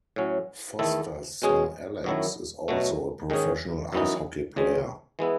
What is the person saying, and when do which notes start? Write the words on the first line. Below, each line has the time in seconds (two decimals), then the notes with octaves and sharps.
Foster's son Alex is also a professional ice hockey player.
0.16 A2 F#3 C#4
0.79 E2 D#3 A3 E4 A4
1.42 B2 G#3 C#4 G#4
2.04 F#2 D#3 F#3 A3 E4
2.68 B2 F#3 A3
3.30 G#2 D#3 G#3 C#4 G#4
3.93 F#2 E3 B3 D#4
4.56 E2 C#3 G#3
5.19 E3 G#3 B3 E4